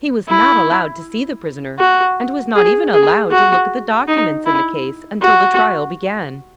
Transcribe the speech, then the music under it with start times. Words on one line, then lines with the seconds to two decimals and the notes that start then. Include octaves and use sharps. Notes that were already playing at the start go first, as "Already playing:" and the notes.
He was not allowed to see the prisoner--and was not even allowed to look at the documents in the case until the trial began.
0.28 E4
1.79 F#4
2.56 G#4
2.94 G#4
3.32 F#4
4.08 D#4
4.46 E4
5.22 F#4